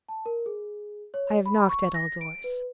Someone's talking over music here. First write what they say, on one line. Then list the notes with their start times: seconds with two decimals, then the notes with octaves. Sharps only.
"I have knocked at all doors."
0.09 A5
0.26 A#4
0.46 G#4
1.14 C#5
1.46 B5
1.69 C#6
1.94 A#6
2.21 D7
2.44 B4